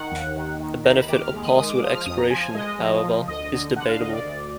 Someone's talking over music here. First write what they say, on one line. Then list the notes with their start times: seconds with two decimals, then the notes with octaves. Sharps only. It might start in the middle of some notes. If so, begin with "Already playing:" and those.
The benefit of password expiration, however, is debatable.
Already playing: D#3 F#5
0.11 D#2
0.36 D#3
0.60 D#3
0.84 D#2 A#5
0.97 B5
1.08 D#3 D6
1.21 F6
1.33 G#3
1.45 D#6
1.57 G#3 D#6
1.69 D6
1.81 F3 D#6
1.93 F6
2.06 F2 D#6
2.18 A#5
2.30 F3 G#5
2.55 G#3 D#5
2.79 F3
3.03 F3
3.27 D2 D#5
3.52 D3
3.76 D3 F#5
3.89 F5
4.00 D2 D#5
4.13 D5
4.25 D2